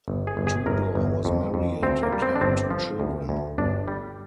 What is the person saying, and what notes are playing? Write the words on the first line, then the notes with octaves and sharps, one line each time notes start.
Tudor was married and had two children.
G1
G#4
G1
G#4
G1 A#4
G1
F2
F2
D2 C4
A#3
G3
C4
D4
G1 C4
F3
D2
D2
G1 D4
G3